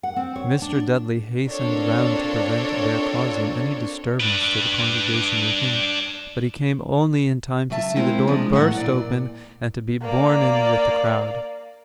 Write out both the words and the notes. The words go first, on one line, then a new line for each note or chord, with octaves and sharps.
Mr. Dudley hastened round to prevent their causing any disturbance to the congregation within; but he came only in time to see the door burst open, and to be borne in with the crowd.
F#5
C4
C#5
D4
C4 D4 F4 A4 A#4 C#5
D4 B4
C#3 F#3 E5 A5
G#3 A#3 C4 E4 F4
C3 F3 G#3 D4
A2 F#3 A#3 E5 F#5
A#2 D5
A#3 D5